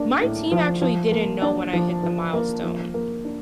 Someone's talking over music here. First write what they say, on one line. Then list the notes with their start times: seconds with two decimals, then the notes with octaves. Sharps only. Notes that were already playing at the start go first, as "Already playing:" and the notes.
my team actually didn't know when I hit the milestone.
Already playing: A#3 D4
0.21 A2
0.52 F3
0.82 F3
1.12 A#3
1.42 D4
1.73 F3
2.03 F3
2.33 A#3
2.63 F3
2.94 A#3
3.25 D4